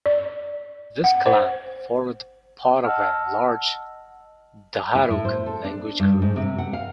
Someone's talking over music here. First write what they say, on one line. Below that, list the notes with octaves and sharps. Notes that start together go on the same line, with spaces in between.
This clan formed part of a large Dharug language group.
D5
F#5
C5
D#5 F#5 A5 E6 F6
E4
A2
C5
A4
D4
G2
G#2
C3
F#5
F5